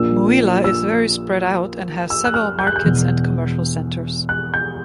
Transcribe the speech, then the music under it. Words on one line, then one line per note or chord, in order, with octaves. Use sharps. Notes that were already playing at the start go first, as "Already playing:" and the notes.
Mouila is very spread out and has several markets and commercial centers.
Already playing: A#1 A#2 E6
E6
E6
F#6
F6
G6
F#6
G6
E1 E2 B2
F#6
G6